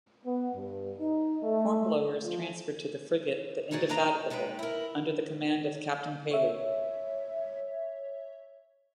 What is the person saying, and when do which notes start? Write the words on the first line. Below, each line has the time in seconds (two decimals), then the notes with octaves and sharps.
Hornblower is transferred to the frigate the "Indefatigable", under the command of Captain Pellew.
0.25 B3
0.55 G2
0.99 D#4
1.43 A3
2.23 F3
3.71 F#3 D#4 F#4 G#4 D5
3.89 F#3 D4 D#4 D#5 A#5
4.30 D#2 G#3 D#4 B4 G5
4.59 E4 A#4
6.31 C#5 E5